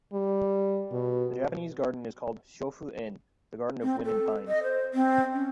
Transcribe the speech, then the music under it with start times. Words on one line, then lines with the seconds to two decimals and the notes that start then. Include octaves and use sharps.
The Japanese Garden is called Shofu-en-the Garden of Wind and Pines.
0.13 G3
0.92 B2
3.83 C4
4.05 A4
4.48 D#5
4.63 C5
4.94 C4
5.34 C#4